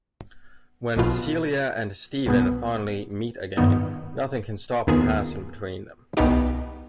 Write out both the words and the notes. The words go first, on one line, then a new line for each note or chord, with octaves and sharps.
When Celia and Stephen finally meet again, nothing can stop the passion between them.
B1 B2 B3 F4
C2 B2 B3
G2 D#3 B3 D#4
D#2 D#3 B3 F4 G#4
C2 B2 B3 D#4 G4